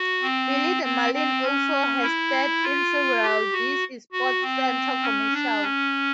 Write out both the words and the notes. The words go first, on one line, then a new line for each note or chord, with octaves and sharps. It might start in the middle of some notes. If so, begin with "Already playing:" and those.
Billy the Marlin also has starred in several This is SportsCenter commercials.
Already playing: F#4
C4
C4
C4
C#4
E4
F4
G4
F#4
F#4
C4
C#4
D4
C#4